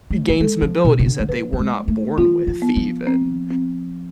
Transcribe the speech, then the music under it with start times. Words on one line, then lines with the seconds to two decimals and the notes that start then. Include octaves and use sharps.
gain some abilities that they were not born with even.
0.10 A3
0.29 F3
0.40 G#3 A4
0.62 F3
0.85 B2
0.99 C3
1.06 D3
1.20 G#3
1.29 F3 B4
1.53 F3
1.59 G#3
1.88 A3
2.18 E3 F4
2.47 F3
2.62 B3
2.77 F3
3.07 C4
3.50 C4